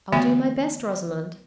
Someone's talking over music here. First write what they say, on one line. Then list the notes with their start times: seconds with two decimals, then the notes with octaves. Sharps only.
'I'll do my best, Rosamond.
0.12 D3 E3 A3 B3 F#4 E5